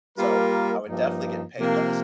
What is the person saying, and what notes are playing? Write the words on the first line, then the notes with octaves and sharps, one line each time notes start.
so I would definitely get paid less,
G3 A#3 F4 A#4
G2 F3 A#3 D#4
C3 F3 A#3